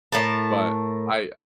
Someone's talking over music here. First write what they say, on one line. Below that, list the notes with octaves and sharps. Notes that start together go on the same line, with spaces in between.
But I
A2 A#4 A5